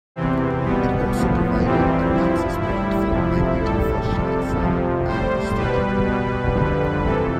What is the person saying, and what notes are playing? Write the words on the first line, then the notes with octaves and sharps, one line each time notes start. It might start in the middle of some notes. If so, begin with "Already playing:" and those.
It also provided an access point for migrating fish like salmon and sturgeon.
E2 C3 E3 C4
B2 G3 B3
A2 F3
F2 C3 E3 G3 C4
G2 F3 E4
A2 G3 E4
F2 C3 F3
A2 G3 A4
F2 C3 G3
F2 C3 F3
A2 G3 C5
B2 G3 B4
B2 G3
F2 D3 G3
F2 C3 E3 A4